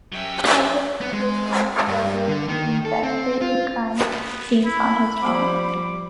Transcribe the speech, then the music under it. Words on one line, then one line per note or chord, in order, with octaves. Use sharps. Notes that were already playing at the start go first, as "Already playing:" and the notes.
However, he later graduated to investigating crime scenes on his own.
F#3 C#4 G4 E5
B3
G#3
G2
D3
D#3
A4
C4
F4
B3
E4 B5
F3 G3 C5 D6